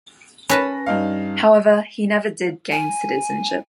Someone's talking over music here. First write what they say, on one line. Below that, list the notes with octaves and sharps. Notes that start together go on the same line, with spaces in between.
However, he never did gain citizenship.
C#4 B4 A5 B5 A#6
G2 D#4 F5
G#5